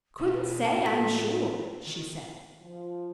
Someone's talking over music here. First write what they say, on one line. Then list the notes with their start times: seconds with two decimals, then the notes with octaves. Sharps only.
"Couldn't say, I'm sure," she said.
0.20 B2 E4 F4
0.65 A2 F#3 G5 A5
0.85 A4 B6 F7
1.87 D#3
2.62 F3